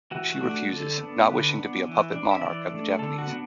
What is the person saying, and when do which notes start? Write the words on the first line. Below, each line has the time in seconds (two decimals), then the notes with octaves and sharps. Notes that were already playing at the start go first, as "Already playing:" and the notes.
She refuses, not wishing to be a puppet monarch of the Japanese.
0.11 E3 F#4
0.32 F#4
0.41 A3 D4
0.50 F#4
0.68 D3 A4
0.98 B3 D4
1.27 D3 B4
1.55 B3 D4
1.84 E3
2.12 D4
2.31 E5
2.41 E3 D5
2.70 A3 D4
2.99 D3 A4
3.18 F#4
3.27 B3 D4